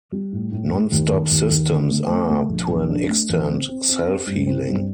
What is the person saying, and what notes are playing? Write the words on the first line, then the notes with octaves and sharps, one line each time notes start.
NonStop systems are, to an extent, self-healing.
G3
A2
A2
A2
D#2
D#2
D#2
D#2
D3
A3
A3
A3
A#1
A#1
D4
A3
A1
C4
C4
C4
C4
G2
C4
G2